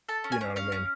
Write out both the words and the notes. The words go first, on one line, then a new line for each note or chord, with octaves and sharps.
You know what I mean?
A4 A5
C#4
G#5
C#4
C#4 F5
C#4